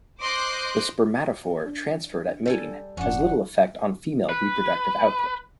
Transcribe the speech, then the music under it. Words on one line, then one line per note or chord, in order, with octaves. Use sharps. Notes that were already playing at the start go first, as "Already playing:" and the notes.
The spermatophore transferred at mating has little effect on female reproductive output.
C5 D#5 C6 D6 F#6 G6
D4
G3 A4 G#5
F1 G#2 F3 C#4 D4 F#5
B4